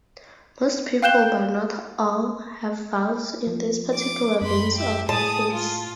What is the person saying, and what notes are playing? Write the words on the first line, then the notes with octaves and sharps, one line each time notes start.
Most people, but not all, have valves in these particular veins of the face.
F5 G5 F#6 G6 E7 G7
F3
D6
F#2 B5 C6
G4 E5
A2 G#4 A5 D#6
F4